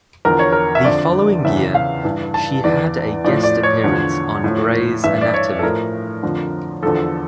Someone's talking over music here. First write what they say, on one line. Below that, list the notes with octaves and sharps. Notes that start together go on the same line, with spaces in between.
The following year, she had a guest appearance on "Grey's Anatomy".
E2 D3 F3 A#4
C#5
A#4
E5
F2 D3 F3 D5
E2 C#3 E3 E5
F5
G2 E3
A5
E2 E3 D5
A2 F3 D5
D5
C#5
E2 D3 F3
A2 F3
G2 E3 E5
D5
C#5
A4
A2 F3 A#4
F2 D3 F3
E2 D3 F3 A4